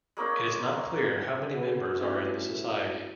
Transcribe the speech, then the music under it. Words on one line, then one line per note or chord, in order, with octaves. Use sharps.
It is not clear how many members are in the society.
G#3 A#3 C#4 D#4
F#4 B4
A3 C#4 E4